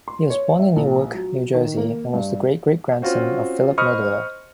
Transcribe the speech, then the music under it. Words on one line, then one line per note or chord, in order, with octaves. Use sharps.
He was born in Newark, New Jersey and was the great-great-grandson of Philip Milledoler.
C6
C#5
E5
A#1
F#3
D#3
A#3
G2
C4 C#4 F4 F#4 C5
C5 D#5 B5 C#6 D#6 F6